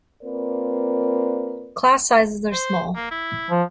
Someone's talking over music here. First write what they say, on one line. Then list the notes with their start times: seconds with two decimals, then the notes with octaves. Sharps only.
Class sizes are small.
0.22 A#3 C4 F4 A#4 B4 D5
2.52 C5
2.96 A#3
3.11 E4
3.50 F3